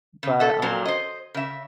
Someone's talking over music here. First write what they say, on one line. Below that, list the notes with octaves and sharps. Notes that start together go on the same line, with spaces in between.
But, um
C#3
A4 E5
F2 F#3 C4
C5 D#5
C#3 E5